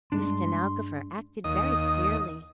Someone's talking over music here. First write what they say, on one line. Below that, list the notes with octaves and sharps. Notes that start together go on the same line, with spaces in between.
The stenographer acted very queerly.
G2 G#3 D4 C6
D#2 D#5 D#6